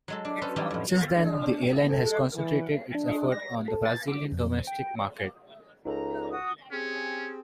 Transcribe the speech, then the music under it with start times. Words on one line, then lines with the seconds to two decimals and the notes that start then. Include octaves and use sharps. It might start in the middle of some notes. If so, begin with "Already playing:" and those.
Since then the airline has concentrated its efforts on the Brazilian domestic market.
0.08 F#3 G#3 A4
0.25 D4
0.42 C#4 A4 B4 C5
0.56 E3 F#3 G3 D#4 E4 G4
0.71 F2 A2
1.16 D4
1.88 A4
2.35 E3
2.95 D4
3.32 A#6
3.68 A4
3.85 A6
4.08 D6
4.32 F2
4.67 G5
5.85 C#2 D#4 A4 A#5
6.29 F#4 D#6
6.72 C4 C#4 G4 G#4